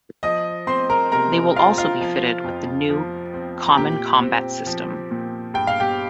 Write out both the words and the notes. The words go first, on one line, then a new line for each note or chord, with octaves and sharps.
They will also be fitted with the new Common Combat System.
F3 D#5 D#6
C4 C5 C6
A#4 A#5
C3 A#4 A#5
C4 F4 F5
F4 F5
F3
F2
F3
C4
A#5
A#2 G4 G5
C4
F3
A#2
G2 G5
F5
G4 G5